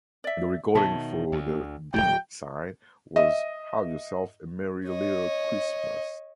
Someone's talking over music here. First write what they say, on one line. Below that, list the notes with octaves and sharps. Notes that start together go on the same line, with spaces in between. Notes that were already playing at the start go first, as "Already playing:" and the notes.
The recording for the "B" side was "Have Yourself a Merry Little Christmas".
D5 E5
B2 D#3 C#5 E5 A5
D2
D1 G#1 F#3 G5
D#5 E5
C#5 D#5